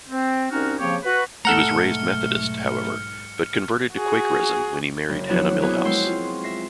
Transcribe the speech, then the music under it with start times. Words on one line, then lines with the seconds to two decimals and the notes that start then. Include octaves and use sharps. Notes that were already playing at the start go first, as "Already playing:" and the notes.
He was raised Methodist, however, but converted to Quakerism when he married Hannah Milhous.
0.10 C4
0.51 C2 C4 C#4 D#4 F#4 F6
0.80 C#3 F3 A#3 C4 G4 C#5
1.04 F#4 B4
1.45 B1 G#2 A3 A4 F#5 A#5 F6 C#7
3.93 F#4 G#4
5.09 F#1
5.29 F3 F#3 B3 D4 E4 F#4
5.60 F#3 A#3 B3 F#4 G#4
5.85 G#3 C4 C6 C#6 E6 C7
6.07 F4
6.44 E5 A#6 C7